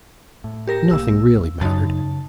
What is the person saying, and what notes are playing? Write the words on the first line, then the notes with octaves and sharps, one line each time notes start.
Nothing really mattered.
A2
G4 A#4 A#6
B1 F3 A#3 E6
F#2 C#3 D#4 A5